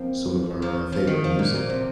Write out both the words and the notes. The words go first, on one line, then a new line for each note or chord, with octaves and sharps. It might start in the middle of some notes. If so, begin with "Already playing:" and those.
some of our, uh, favorite music,
Already playing: F3 A#3 C4
F3
F3
D#3
F3
A#2
A#2
C3